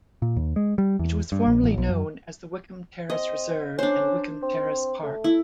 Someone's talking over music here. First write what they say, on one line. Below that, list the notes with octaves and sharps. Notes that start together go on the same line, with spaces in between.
It was formerly known as the Wickham Terrace Reserve and Wickham Terrace Park.
A#2
D#2
G#3
G3
E2
G2
A#1
A1
B1
F#2
C4 D#5
C#4 D4 C5
C4
A3
E4